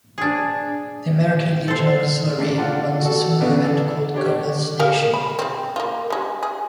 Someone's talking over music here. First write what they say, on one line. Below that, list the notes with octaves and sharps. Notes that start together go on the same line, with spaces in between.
The American Legion Auxiliary runs a similar event called Girls Nation.
D4 G#4
A4 C5
A3 D4
D4 F4 F#5
F#4 A4
C#3 E3 B3 D4
D4 A4
D4 G4 C#5
G4 A#4 F5
B5
C4 G#4
A#3 F4
G3 G#3
G#4